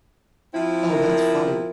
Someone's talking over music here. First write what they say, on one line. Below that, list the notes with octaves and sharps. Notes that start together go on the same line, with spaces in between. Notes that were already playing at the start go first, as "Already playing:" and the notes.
Oh, that's funny.
F3 C4 E4
A#4